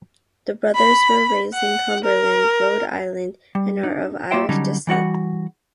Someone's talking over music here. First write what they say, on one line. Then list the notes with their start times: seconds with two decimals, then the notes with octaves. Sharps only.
The brothers were raised in Cumberland, Rhode Island and are of Irish descent.
0.75 B5
1.54 F#5
2.04 A#4
3.55 G3
3.83 D4 D#4
4.31 A#3 F4 F#4 C5 E5 G5
4.49 D3 F#3 G3 C#4 D#4
4.87 E3 G3 F#4 F#5